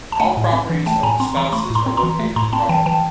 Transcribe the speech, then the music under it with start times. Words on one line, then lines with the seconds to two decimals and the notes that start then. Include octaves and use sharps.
All properties of the spouses are located in Russia.
0.12 A5
0.20 A3 F#5 G#5
0.37 A2
0.53 C4
0.70 E3
0.86 A3 G5 A5
1.03 A2 G#5 A#5
1.20 C4 A#5 C6
1.36 E3 A#5 C6
1.52 A3 B5 C#6
1.70 A2
1.75 A#5 C6
1.86 C4
1.97 A#5 C6
2.03 E3
2.19 A3
2.36 A2 A#5 C6
2.53 C4 A5 B5
2.69 E3 G5 A5
2.86 E3 G5 A5